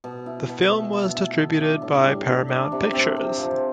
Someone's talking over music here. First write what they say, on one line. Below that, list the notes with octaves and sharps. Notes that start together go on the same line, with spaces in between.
The film was distributed by Paramount Pictures.
B2
E4
B2
A3
B2
E4
A4
D4
A2
G3
A4
D4
C3
C4
C3
F3